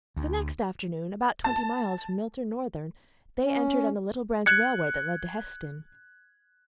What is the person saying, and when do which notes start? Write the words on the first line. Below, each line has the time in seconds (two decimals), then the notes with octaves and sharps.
The next afternoon, about twenty miles from Milton-Northern, they entered on the little branch railway that led to Heston.
0.16 D2
1.44 A5
3.44 C#4
4.46 F#6 G#6 C#7